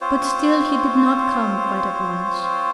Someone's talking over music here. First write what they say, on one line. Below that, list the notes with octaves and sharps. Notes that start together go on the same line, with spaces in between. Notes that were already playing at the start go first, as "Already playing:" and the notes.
But still he did not come quite at once.
C4 F4 C5 C#5